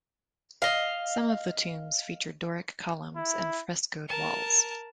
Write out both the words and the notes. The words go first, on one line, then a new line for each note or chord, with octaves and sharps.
Some of the tombs feature Doric columns and frescoed walls.
D#5 F5
E4
A#4 A5